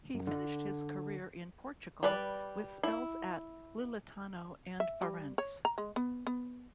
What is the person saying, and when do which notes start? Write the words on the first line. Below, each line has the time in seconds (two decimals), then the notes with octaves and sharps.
He finished his career in Portugal with spells at Louletano and Farense.
0.14 F#2
0.27 D3
2.03 G3 B4 D5
2.83 E4
4.80 E5
5.02 G3
5.38 C#5
5.65 A#5
5.78 G#3
5.96 B3
6.27 B3